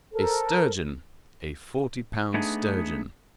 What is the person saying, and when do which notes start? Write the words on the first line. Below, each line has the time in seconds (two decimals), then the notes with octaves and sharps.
A sturgeon! a forty pound sturgeon!
0.12 A4 A#4 C5
2.34 A3 B3 D4 D#4 G#4